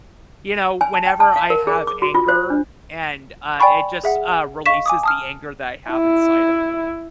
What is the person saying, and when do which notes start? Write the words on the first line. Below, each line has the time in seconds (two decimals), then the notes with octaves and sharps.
you know, whenever I have anger and, uh, it just, uh, releases the anger that I have inside of me.
0.81 G#5
0.94 A5
1.06 G5
1.20 A5
1.36 F5
1.50 A#4
1.67 G#4
1.87 D6
2.02 F#4
2.15 F4
2.28 C5
2.50 D4
3.60 D5 G5 G#5 B5 C#6
4.04 G#4 E5 F#5
4.66 D#5 F5 C#6 B6 E7
4.86 G#5 D6 D#6
5.03 A5 D#6 F6
5.91 E4